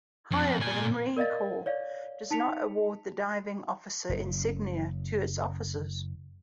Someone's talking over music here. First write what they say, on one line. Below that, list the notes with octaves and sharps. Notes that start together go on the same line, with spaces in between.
However, the Marine Corps does not award the diving officer insignia to its officers.
F2
A#2 G#5
A#4 D5 D#5 F5 A6
C#5 D5 F5
D#4 A5 B6 C#7 F7
F#1 C#3